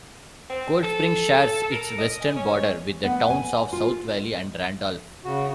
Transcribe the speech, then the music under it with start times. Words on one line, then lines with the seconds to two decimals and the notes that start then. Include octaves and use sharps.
Coldspring shares its western border with the towns of South Valley and Randolph.
0.50 C4
0.83 A4
1.71 A#4
1.99 D#5
2.21 G#5
2.36 C#4
3.04 B3
3.30 G#5
3.73 F4
5.25 C#3 F#4